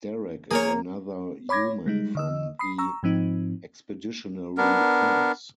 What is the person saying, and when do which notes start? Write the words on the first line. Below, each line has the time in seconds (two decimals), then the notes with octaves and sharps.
Derek is another human from the expeditionary force.
0.51 A#3 G#4 A#4 C#5
1.49 C#5 B5 D6 G#6 A#6
1.86 G3 G#3 D#4
2.15 D3 D#5 E6
2.59 B5 D#6 C7
2.78 A#5 C#6 E6
3.03 G#2 F3 C4 D#4
4.57 B3 D4 A#4